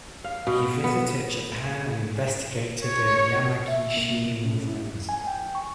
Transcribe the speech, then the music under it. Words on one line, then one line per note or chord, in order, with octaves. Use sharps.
He visited Japan and investigated the Yamagishi movement.
F5
B2
B3
C#5
E5
A#3
B2
C#4
E4
F2
G#5
G5
C#6